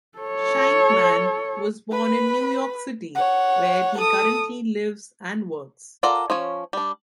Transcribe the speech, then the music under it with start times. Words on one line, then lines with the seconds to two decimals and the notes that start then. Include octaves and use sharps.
Sheinkman was born in New York City, where he currently lives and works.
0.18 A4 C#5
1.91 B4 B5
3.15 C#5 F#5
3.97 A4 D#6
6.03 F4 A4 A#4 D5 F#5
6.30 F3 C#4 C#5
6.73 G3 D4